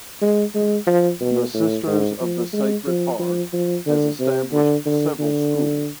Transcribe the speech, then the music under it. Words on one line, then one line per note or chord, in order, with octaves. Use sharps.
The Sisters of the Sacred Heart has established several schools.
G#3
G#3
F3
B2
A2
G#2
F3
G#3
F3
F3
F3
D3
C3
D3
D3
D3